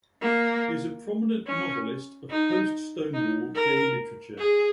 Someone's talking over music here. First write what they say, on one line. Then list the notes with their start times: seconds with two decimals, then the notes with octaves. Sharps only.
He is a prominent novelist of post-Stonewall gay literature.
0.21 A#3
1.47 C#4
2.30 D#4
3.13 D#4
3.55 A#4
4.38 G#4